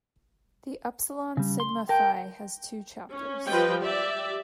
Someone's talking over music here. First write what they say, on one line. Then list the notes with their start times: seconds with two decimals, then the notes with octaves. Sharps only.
The Upsilon Sigma Phi has two chapters.
1.37 C#3 G3
1.60 C6
1.89 A#4 G5 A5
3.10 C#4
3.46 F3 G3 B4 D#5 G5
3.81 G4 D5 E5